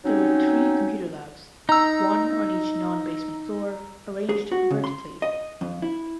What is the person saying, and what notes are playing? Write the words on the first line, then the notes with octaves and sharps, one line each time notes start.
There were three computer labs: one on each non-basement floor, arranged vertically.
F#3 C4 C#4 D#4
D#4 A#5 E6
G#4
F#4
C#3
C6
D#5
F2
E4